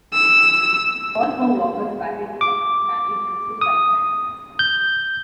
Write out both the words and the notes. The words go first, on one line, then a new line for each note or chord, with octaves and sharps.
All four Walkers batted left-handed and threw right-handed.
E6
D6
D#6
G6